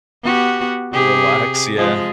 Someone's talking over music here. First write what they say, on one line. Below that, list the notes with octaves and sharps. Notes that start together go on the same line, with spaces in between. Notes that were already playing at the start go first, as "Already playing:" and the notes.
Relax, yeah.
B3 F#4 G4
C3 G4 G#4
F3 G#3